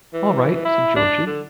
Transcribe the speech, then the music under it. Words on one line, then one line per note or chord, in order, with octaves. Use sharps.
"All right," said Georgie.
E3
E4
D4
D3